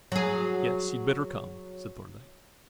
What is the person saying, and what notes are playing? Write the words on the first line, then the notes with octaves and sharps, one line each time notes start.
"Yes, you'd better come," said Thorndyke.
F#3 G#4